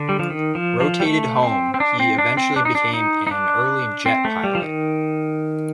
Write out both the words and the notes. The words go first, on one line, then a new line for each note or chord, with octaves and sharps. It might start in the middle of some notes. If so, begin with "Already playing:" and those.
Rotated home, he eventually became an early jet pilot.
Already playing: D3
G3
F3
D#3
F3
F3
G3
A3
C4
C4
D4
C4
D4
C4
D4
D#4
D4
D#4
D#4
D4
C4
A3
G3
F3
D#3